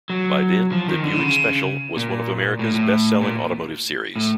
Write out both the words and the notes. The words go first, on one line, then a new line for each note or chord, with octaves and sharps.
By then, the Buick Special was one of America's best selling automotive series.
F#3
F3
D#3
D3
C#3
A#2
A2
A2
A#2
A2